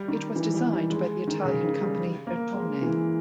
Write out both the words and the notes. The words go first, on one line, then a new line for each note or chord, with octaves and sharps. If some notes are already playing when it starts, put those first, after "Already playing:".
It was designed by the Italian company Bertone.
Already playing: G3
D#3
E3
G3
G3
G#3
D#3
C#3
D#3
G3
A#3
G#3
E3